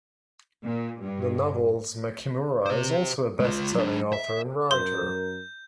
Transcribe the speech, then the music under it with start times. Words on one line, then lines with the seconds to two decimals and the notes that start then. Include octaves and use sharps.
The novel's Makimura is also a best selling author and writer.
0.63 A#2
0.99 G2
2.66 G4 C5
3.40 G#3 F4
3.74 F#3 D4
4.13 E5
4.71 F#2 A#4 C6 G6